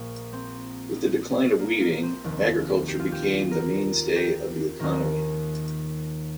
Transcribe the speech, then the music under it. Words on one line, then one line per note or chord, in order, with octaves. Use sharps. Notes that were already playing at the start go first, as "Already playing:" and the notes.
With the decline of weaving, agriculture became the mainstay of the economy.
Already playing: A#1 A#2 A#3
C4
A#3
A#3
A#3
C4
F1 D#2 D#3
G4
F4
G4
A#4
G4
D#2 D#3 A#4